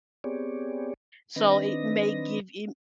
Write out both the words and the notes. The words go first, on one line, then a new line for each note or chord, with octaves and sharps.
So it may give I
B3 C4 G4 G#4 C#5 D5
D#3 C4 D4 B4 D#5 A#6